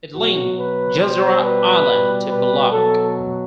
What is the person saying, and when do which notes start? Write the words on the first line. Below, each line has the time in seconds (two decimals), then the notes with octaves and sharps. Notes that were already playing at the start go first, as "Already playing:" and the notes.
It linked Gezira Island to Bulaq.
0.14 B2 F#3 F#4
0.58 B4
1.00 B2 G3 C5
1.43 B4
1.86 B2 G3
2.28 B4
2.71 B2 F#3 A4